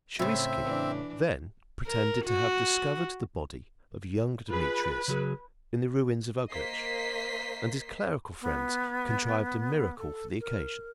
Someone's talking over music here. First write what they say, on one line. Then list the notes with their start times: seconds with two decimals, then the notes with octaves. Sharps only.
Shuiski then pretended to have discovered the body of young Demetrius in the ruins of Uglitch, and his clerical friends contrived a miracle for the occasion.
0.19 A2 C#3 C4 E5
0.64 E3 D4
1.86 A#4
2.26 F#4
4.50 F4 G#4 B4
5.08 C#3 F#3 G#4
6.50 A#3 C5 D#5 B6 C7
8.42 B3
9.98 A4
10.40 A#4